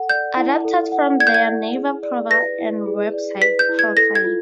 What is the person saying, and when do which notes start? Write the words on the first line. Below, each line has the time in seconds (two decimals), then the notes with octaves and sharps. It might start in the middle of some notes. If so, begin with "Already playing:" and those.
Adapted from their Naver profile and website profile.
Already playing: A4 F#5
0.09 D5 G6
0.37 E4
0.65 A4
0.92 F#5
1.19 D5 G#6
1.27 G6
1.34 G#6
1.48 E4
1.75 G#4
2.03 D5
2.30 B4 A#6
2.59 E4
2.86 G#4
3.14 D5
3.42 B4 B6
3.59 G6
3.69 E4
3.79 G#6
3.97 A4 A#6
4.15 G#6
4.24 F4